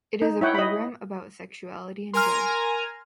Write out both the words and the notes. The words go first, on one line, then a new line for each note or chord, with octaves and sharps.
It is a program about sexuality and drugs.
D#4
E4 C#5 F#5 G5
D#5 B5
A#4 G#5 A#5 C6 F6